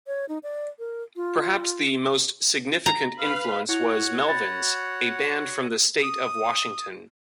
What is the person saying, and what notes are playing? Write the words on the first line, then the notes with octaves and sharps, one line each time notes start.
Perhaps the most significant influence was Melvins, a band from the state of Washington.
C#5
D#4
D5
A#4
F4
A#5
B4 F5 B5
E4 F#4 C#5 F#5 C#6 F7
B5 A6 A#6
D#6